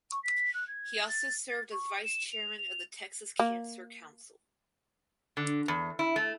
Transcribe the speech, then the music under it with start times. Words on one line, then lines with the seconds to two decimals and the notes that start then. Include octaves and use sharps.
He also served as vice chairman of the Texas Cancer Council.
0.11 C#6
0.23 B6
0.54 F#6
0.67 G#6
1.08 A6
1.49 A6
1.71 C#6
2.04 E7
2.31 F7
2.57 F7
3.40 A#3
5.37 D3
5.68 E2
5.99 E4
6.16 A3